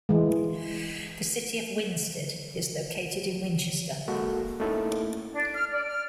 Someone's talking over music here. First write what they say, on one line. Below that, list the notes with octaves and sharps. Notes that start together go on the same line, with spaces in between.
The City of Winsted is located in Winchester.
E3 G#3
G#3 A#3 F#4 A4
A3 A#3 C#4 D#4 E4 A4
D4
F6
D5
F6